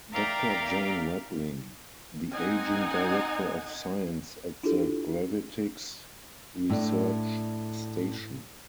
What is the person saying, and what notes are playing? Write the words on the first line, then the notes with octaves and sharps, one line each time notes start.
Doctor Jane Webling: The aging Director of Science at the Gravitics Research Station.
A#4 D5 E5 F5 G5 A#5
C4 D#4 F#5 G#5
D4 E4 F4 G4 A4
A2 D4